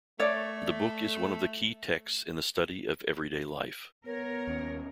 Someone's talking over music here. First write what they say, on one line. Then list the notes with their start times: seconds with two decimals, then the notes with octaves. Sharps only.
The book is one of the key texts in the study of everyday life.
0.19 A3 C#5 D5
4.06 B3 A#4 C#5
4.47 D#2 C#4